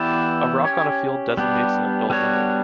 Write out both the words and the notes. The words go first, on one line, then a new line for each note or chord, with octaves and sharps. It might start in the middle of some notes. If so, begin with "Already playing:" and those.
A rock on a field designates an adult menhir.
Already playing: E3 B3 E4 G4 D5
C#4 G4 C#5
G3 B3 D4 G4
G3 B3 D4 F#4 C#5